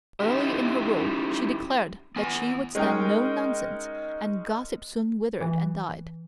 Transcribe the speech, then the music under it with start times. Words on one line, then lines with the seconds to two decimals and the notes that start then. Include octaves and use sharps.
Early in her rule she declared that she would stand no nonsense, and gossip soon withered and died.
0.20 C#4 D#4 E4 G4
2.16 B3 G#5
2.75 G#3 C#4 D#4 G#4 A#4 G5
5.41 E3